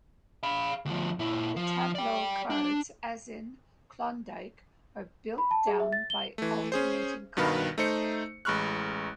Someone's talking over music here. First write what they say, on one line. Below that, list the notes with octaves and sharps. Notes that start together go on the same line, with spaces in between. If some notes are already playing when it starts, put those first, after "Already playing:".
The tableau cards, as in Klondike, are built down by alternating color.
F5 B5
D2 F3
A#2 E4
F3
D5 G5
D4
B5
A5
G#4
E5
A6
G7
E3 A3
C#4 G#4 C5
G2 B2 D#3 B4 F5 B5
A3 D#4 C5 C#7
A1 G#3 B5 C#6 F6 F#6